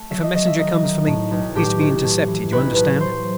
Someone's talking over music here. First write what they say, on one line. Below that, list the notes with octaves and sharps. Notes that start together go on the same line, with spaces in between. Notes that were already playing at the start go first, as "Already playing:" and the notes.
If a messenger comes for me, he is to be intercepted, you understand.
Already playing: A3
F#3 E5
D#5
F#3 D#5
E5
D#3 D#5
D#3
A2
B1
A2 G4
B1
A2
E3
B1 B4
A2 B4
F#3 C5